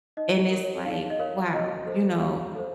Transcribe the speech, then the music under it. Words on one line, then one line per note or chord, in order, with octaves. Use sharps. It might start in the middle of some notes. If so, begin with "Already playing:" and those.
and it's like, "Wow," you know,
D#4 D#5
A#4
C#5
D#4 F5
D#5
A#4 C#5 F5
F#4 D#5
A4 C5
F#4 F5
A4 C5